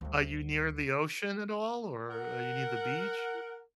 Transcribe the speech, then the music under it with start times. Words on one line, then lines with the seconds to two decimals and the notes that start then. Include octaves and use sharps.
Are you near the ocean at all or you near the beach?
0.01 D2 G3
2.10 A#4 F#5